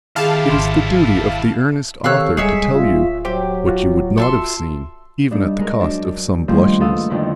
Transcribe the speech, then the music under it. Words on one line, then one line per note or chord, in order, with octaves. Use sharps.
It is the duty of the earnest author to tell you what you would not have seen--even at the cost of some blushes.
D#3 E4 G4 G#4 F5 A5
G#1 C6
D#3 C4 G4 A4 C#5 F5 E6 F#6
D1 G3 G#3 G#4 C#5 E5
F4
F#3 G4 C5
F4 F#4
A4 E5 C6
G2 D4 D#4
G#3 A#4
F#2 D4
D#3 F3 G3 A3 A#3 C4
G#2 B3 A4 F5 D#6
F2 D3 D#3 E4